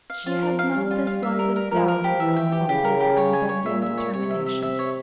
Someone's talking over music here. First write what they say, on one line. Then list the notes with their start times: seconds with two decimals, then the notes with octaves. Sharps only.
She had not the slightest doubt now of his unbending determination.
0.10 F5
0.26 F3 F4
0.42 A#4
0.59 F5
0.74 G3 F5
0.91 F4
1.07 F5
1.23 G3 E5
1.39 A#4
1.56 A#4
1.71 F3 A#4
1.88 A#4
2.04 G4
2.20 E3 E5
2.37 G5
2.52 G4
2.69 C#3 G4
2.84 A#4
3.00 G4
3.17 C#5
3.33 G#5
3.49 C#5
3.65 A#2 E5
3.82 E5
3.98 C#5
4.13 C3 C#5
4.31 E5
4.46 E5
4.63 E5
4.79 C#5